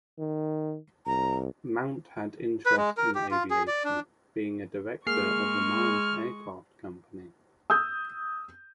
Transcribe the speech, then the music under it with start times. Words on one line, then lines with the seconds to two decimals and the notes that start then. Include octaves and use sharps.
Mount had interest in aviation, being a director of the Miles Aircraft Company.
0.19 D#3
1.06 C2 A#5
2.66 B4
2.77 G#3
2.97 A#4
3.15 G4
3.31 F4
3.50 G#4
3.67 D5
3.84 D4
5.07 G#3 A#3 G#4 C#6 F6 C7
7.70 D#6 E6 G6